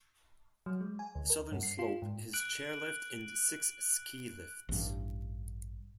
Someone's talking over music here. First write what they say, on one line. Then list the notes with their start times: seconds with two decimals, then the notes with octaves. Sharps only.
The southern slope has chair lift and six ski lifts.
0.66 F#3
0.81 G#3
0.99 G#5
1.15 D2
1.30 A#4
1.52 G2
1.63 C7
1.79 F4
2.02 G#2
2.33 F#6 D7 F#7
4.69 A1 G2